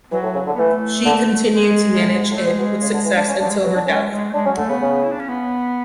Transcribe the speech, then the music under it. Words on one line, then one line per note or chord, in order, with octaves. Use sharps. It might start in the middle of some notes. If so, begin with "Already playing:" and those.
She continued to manage it with success until her death.
E3 F#3
A2
C#3
D3
B3
E3 A3
D3
G#3
A2
G#2
A2
A3
B2 G#3
B2
C#3
D3
E3
D4
C#4
F#3 D4
G#3
F#3 B3
D4
G#3 C#4
G#3
A3
G#3 D4
F#3 C#4
D3 A3
C#3 B3
C#3
E4
D4
C#4
B3